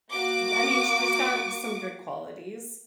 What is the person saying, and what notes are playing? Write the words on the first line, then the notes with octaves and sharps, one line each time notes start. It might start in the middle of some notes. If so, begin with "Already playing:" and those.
I mean, she's got some good qualities.
A#3 F#4 D6